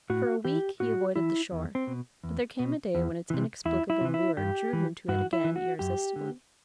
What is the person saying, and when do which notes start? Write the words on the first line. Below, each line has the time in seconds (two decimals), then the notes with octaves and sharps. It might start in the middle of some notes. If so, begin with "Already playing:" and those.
For a week he avoided the shore, but there came a day when its inexplicable lure drew him to it again irresistibly.
0.10 A2 F#4
0.45 E3 G4
0.80 A2 F#4
1.16 E3 E4
1.52 E2
1.75 C4
1.87 B2
2.24 E2
2.59 B2
2.95 E2
3.30 C3 E3
3.65 E2 E4
3.90 E4
4.01 C3 E3
4.14 E4
4.37 G2 G4
4.73 E3
5.08 G2 F#4
5.33 E4
5.44 E3
5.56 F#4
5.79 F#2 G4
6.16 D3